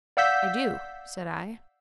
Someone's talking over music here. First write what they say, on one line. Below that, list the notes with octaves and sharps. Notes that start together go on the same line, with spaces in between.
"I do," said I.
D5 F5 F#5 E6 G6 B6